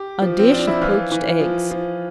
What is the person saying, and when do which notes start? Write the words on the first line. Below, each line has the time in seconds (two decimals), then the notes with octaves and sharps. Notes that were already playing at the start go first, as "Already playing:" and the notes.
A Dish of Poached Eggs.
Already playing: G4
0.22 F3
0.39 C4
0.52 F3 D4
0.67 E4
0.82 E3 F4
1.12 E3
1.40 F3
1.71 F3